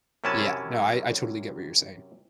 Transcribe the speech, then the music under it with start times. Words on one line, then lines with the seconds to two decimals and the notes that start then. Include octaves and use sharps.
Yeah, no, I I totally get what you're saying.
0.24 F#2 C3 C#4 E4 G#5 A5